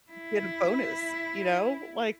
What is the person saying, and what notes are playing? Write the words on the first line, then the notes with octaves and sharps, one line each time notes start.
get a bonus, you know, like
E4